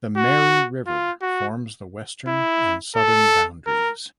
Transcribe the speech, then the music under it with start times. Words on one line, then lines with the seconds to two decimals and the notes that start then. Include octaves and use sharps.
The "Mary River" forms the western and southern boundaries.
0.17 F#4
0.87 F4
1.22 F#4
2.27 E4
2.97 A4
3.67 A#4